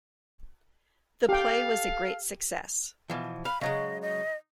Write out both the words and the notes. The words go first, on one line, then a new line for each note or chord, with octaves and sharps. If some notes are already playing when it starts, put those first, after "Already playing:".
The play was a great success.
G4 A4 F5 G5
B2 E3 F3
F5 B5
C#3 F#3 G#3 D#5
D#5